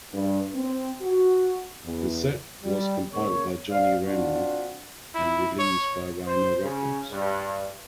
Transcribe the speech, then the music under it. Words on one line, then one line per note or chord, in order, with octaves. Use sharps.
The set was compiled by Johnny Ramone and released by Rhino Records.
G2
C4
F#4
E2
G3
C#3 A#3 C#5
C5 D5 F5
C4 D4 F4 F#4
E4
C#5
C5
C#3
G2